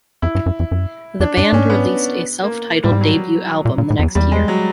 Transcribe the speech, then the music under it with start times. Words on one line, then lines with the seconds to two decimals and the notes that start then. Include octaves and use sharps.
The band released a self-titled debut album the next year.
0.22 F2 E4
0.35 G2
0.46 F#2
0.60 F2
0.71 F#2
1.20 F2 D4
1.37 F#2 D4
1.53 G#2 C#4
1.70 B3
2.44 A#3
2.83 A2 G3
2.92 G#2
3.01 F#3
3.65 A#2
3.78 A#2
3.90 A2
3.99 F2
4.03 E2
4.15 E2 G3
4.32 G#3
4.48 F#3